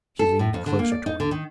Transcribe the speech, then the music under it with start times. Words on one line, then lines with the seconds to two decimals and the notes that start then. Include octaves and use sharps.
She leaned closer toward me.
0.19 A4
0.39 A2
0.54 F2
0.66 D3
0.79 A#3
0.92 D5
1.06 D#4
1.20 D3
1.31 D#3